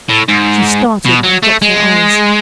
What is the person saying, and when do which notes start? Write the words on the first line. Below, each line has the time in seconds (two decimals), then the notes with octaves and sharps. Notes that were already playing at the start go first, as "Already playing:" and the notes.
She started and dropped her eyes.
0.09 A2
0.29 G#2
1.05 B2
1.24 F#3
1.43 A3
1.62 G#3